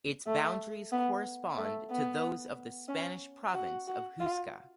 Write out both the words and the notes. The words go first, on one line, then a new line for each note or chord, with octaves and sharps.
Its boundaries correspond to those of the Spanish province of Huesca.
A3
B3
A3
B3
C#4
F#4
F#4
F4